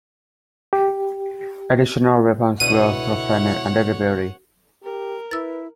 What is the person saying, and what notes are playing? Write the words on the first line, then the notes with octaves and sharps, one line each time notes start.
Additional weapons were also planned under the belly.
G4
C#2 B2 D3 E4 C#5 F#5 D#7
G4 A#4
E4 B4 E6 A6